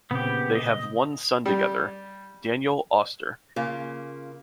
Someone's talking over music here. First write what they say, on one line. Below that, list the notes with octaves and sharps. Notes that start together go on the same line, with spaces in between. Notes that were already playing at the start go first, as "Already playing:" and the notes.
They have one son together, Daniel Auster.
A#2 C#3 B3 C4 G4
D#5
G3
C#3 A#3 F4